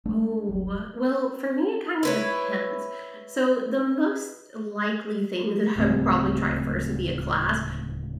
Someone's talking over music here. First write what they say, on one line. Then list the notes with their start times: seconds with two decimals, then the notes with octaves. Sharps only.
Oh, wel well, for me, it kinda depends. So, the most likely thing that I will probably try first, would be a class,
0.05 G#3 A3 D4
0.49 D1 G1 F#3
2.03 E4 B4 C#5
5.76 D1 C#2 A2 C4